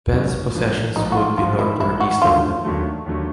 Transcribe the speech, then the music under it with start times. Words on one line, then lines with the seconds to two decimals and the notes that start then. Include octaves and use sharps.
Penn's possessions would be north or east of them.
0.12 G#1 F#2 C#3 F#3
0.54 A#1 G#2 F3
0.96 A#1 G#2 F3 D#4
1.12 F#4
1.17 F4
1.38 A#1 G#2 F3 F4
1.59 E4
1.80 A#1 G#2 F3 E4
2.00 F#4
2.22 D#2 D3 F#3 A3 F4
2.64 D#2 D3 F#3 A3
3.06 D#2 D3 F#3 A3